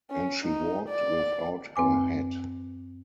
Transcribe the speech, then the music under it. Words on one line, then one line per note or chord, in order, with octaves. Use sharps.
And she walked without her hat.
C#4
D#4
D5
F#2 C4 B4 G#5 D6